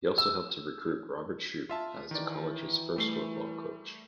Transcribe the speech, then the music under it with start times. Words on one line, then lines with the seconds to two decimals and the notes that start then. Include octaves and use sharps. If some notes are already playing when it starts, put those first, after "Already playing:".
He also helped to recruit Robert Shoup as the college’s first football coach.
0.18 E6
1.69 F4 E5 A5
2.11 D#3 E3 D5
2.96 G3 A3 C7